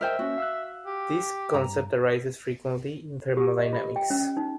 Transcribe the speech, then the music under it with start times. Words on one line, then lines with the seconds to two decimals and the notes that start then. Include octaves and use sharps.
This concept arises frequently in thermodynamics.
0.01 A#4 C5 D#5 E5 G5 F6
0.19 A#3 C#4 F#4
0.38 F5 E6 F#6
0.86 G4
1.54 G2 A#5
3.37 G4
3.59 D#5
3.73 F4
3.96 G5
4.10 C#4
4.37 D#4